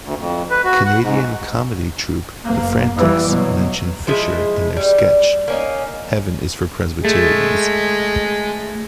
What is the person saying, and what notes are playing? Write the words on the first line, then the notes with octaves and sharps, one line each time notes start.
Canadian comedy troupe The Frantics mention Fisher in their sketch, "Heaven is for Presbyterians".
D2
F2
B4
F#4
F#5
G#2
F#1 A#3
E3 G3
B2 F#3
F3 G#3 E4
G3
A#3 C#4 D#4
G#3 A3